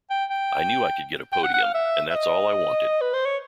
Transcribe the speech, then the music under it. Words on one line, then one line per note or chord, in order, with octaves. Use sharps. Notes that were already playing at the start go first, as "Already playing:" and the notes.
I knew I could get a podium, and that's all I wanted.
G5
G5
G5
F#5
F#5
F5
E5
E5
D#5
B4
C5
C#5